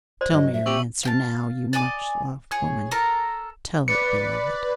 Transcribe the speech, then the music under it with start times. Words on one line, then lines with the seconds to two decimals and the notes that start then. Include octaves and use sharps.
"Tell me your answer now, you much-loved woman--tell it, beloved."
0.21 C5 D5
0.33 G2 F#3 D#5
0.53 E5
0.66 C4 G4 C#6 E6 F#7
1.03 F5 G5 A5
1.73 D5 D#5 G#5 D6
2.51 G#4 C#5 C#6
2.91 A4 A#4 A5 A#5
3.88 B4 D5 C#7